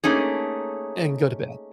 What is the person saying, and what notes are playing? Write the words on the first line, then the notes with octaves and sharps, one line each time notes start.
and go to bed.
A3 A#3 C#4 D#4 G#4